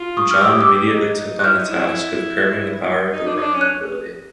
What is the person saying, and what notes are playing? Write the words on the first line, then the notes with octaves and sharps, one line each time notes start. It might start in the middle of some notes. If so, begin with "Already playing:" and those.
John immediately took on the task of curbing the power of the Roman nobility.
Already playing: F4
C#6 D#6
G4 F6
E6
D#6
D6 E6
D#4
F#6
E4 F6 G6
D#4
E4
D#4
D4
D#4
D4
C#4
F#6